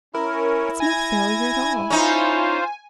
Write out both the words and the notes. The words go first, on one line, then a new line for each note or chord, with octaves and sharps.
It's no failure at all.
C#4 E4 A#4
G#5 G#6 A#6
C#4 D#4 F4 C5